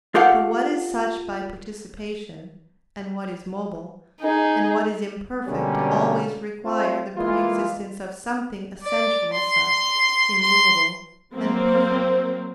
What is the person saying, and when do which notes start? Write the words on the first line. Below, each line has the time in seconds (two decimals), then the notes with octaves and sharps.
For what is such by participation, and what is mobile, and what is imperfect always requires the pre-existence of something essentially such, immovable and perfect.
0.15 F4 G4 A4 F5 F#5
4.22 D#4 G#4
5.47 B2 D3 G3 G#3 A#3 C#4
6.64 A3 C4 F4
7.17 E3 G#3 A#3 F4
8.83 D5
9.33 C6
10.41 C6
11.35 F#3 A#3 C4